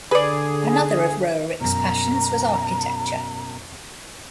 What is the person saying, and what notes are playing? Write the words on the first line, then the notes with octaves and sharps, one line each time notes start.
Another of Roerich's passions was architecture.
D3 G#4 B4 D5
F#2 B2 A#5